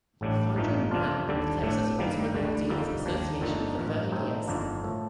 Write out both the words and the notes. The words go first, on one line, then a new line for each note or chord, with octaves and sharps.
Fondren ran the Texas Automobile Dealers Association for thirty years.
A1 A2 G3 D4
A1 G2 F3 A3 D#4
F2 C3 G3 D4 F4
D#2 D3 G3 D4 A4
A2 A3 D4
G2 D#3 G3 A#3
D2 D3 G3
F2 D3 G3 A#3 D#4
D#2 D#3 A#3 D4
G1 F2 D3 A3 D#4
A1 G2 F3 A#3
A2 A3 C4 D#4
G1 F2 D#3 A#3 D4
A2 F3 A3